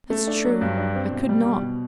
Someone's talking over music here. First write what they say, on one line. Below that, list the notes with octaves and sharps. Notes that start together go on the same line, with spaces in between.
"That's true; I could not!"
A3
D4
F#3
G2
D4
C4
B2
G3
B2
B2